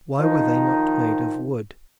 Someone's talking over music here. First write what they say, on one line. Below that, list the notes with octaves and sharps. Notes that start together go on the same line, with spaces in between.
Why were they not made of wood?
D#3 F3 D#4